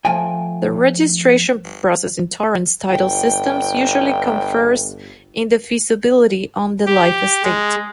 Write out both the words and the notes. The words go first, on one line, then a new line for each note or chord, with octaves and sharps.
The registration process in Torrens title systems usually confers indefeasibility on the life estate.
F3 A3 G5 G#5
G1 G5
G4
G#3